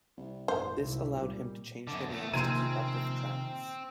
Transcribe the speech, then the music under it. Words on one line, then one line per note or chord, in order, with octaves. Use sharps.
This allowed him to change their names to keep up with trends.
C2
G#1 F#2 A#2 C5
C2 E4
A#2 G3
F#2 D3
E2 A3
A#1 C3 D#3 C4 A#5 C6 G#6 D#7